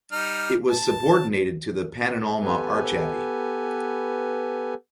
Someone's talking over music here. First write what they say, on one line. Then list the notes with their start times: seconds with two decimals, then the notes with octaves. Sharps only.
It was subordinated to the Pannonhalma Archabbey.
0.12 G3 D#4 F6
0.69 A5
2.40 B3 G4 A4 B4 G#5